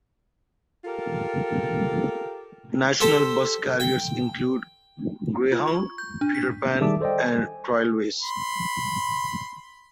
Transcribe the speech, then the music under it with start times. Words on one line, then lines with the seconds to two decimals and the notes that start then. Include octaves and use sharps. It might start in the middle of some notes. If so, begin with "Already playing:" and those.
National bus carries include Greyhound, Peter Pan and Trailways.
0.85 F4 G4 A4 A#4
3.00 G4 A4 C5 A5
3.80 G5
5.52 F4
5.68 C#6
5.98 G6
6.21 D4
6.35 B6
6.80 D#3 G3 G#4 E5 A5 D6
7.01 A4 C5 D5 D#5 G5
7.23 G#5
8.22 B5 C6